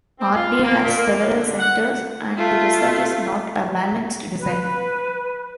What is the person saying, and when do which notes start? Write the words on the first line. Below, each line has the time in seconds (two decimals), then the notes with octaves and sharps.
Mardi has several centers, and the result is not a balanced design.
0.18 C4
0.35 F4
0.63 A#3
0.82 A#2
0.97 A#3
1.20 A2
1.33 D3
1.59 F#5
2.37 A3 F4
4.39 B4